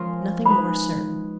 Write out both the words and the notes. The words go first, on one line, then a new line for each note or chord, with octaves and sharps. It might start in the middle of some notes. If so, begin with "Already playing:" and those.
Nothing more certain.
Already playing: F3 G#3 C#4 F4 A#4
G#3 D#4 G#4 B4 B5